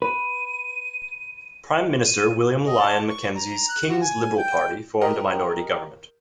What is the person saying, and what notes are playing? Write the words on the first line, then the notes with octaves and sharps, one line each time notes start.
Prime Minister William Lyon Mackenzie King's Liberal Party formed a minority government.
B4 D#7
D#7
D#5
A5
C#6
A#5
F#6
F#4
G#5
G5
G4 A#4 D#5